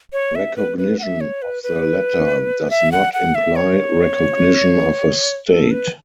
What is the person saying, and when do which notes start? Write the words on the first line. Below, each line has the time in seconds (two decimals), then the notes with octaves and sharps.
Recognition of the latter does not imply recognition of a state.
0.13 C#5
0.35 E5
0.56 B4
0.78 B4
0.99 F#5
1.03 E5
1.21 C#5
1.42 B4
1.63 B4
2.70 E5
2.92 F#5
3.13 F#5
3.35 E5
3.56 C#5
5.48 A4
5.71 B4